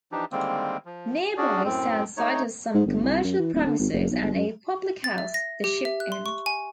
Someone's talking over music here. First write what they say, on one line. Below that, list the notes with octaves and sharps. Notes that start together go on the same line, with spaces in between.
Nearby Sandside has some commercial premises and a public house, The Ship Inn.
E3 F3 D4 D#4 G4
D3 D#3 G3 G#3 A#3 C4
F3
C#4 D4 F#4 G#4 D5
F#2 A2 C4
A3 D#4 C#5
G#2
G1
C2
F#2
E3
D#1
D3
G#1
F#1
B1
G1
F#2
A6
E5
A#6
G4
E5
F#6
C6
C#6
G#5